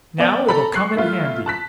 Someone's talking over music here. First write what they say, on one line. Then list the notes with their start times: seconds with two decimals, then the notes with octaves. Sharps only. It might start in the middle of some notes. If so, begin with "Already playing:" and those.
Now it'll come in handy.
0.18 B3 D5 G5
0.48 A4 A#5 B5
0.74 C#6 F#6 C7
0.96 A3 E4 F4
1.46 A5 F#6 B6